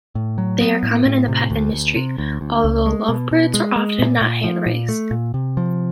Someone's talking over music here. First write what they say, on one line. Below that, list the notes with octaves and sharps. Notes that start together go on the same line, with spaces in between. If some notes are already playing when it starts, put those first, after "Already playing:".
They are common in the pet industry, although lovebirds are often not hand-raised.
A2
F#3
B3
A2
A2
C3
D2
D2
C3
D2
D2
C#2
G#3
B2
B2
G#3
G#3
A#2
A#2
F3
A#2
A3
A#2
C3
F3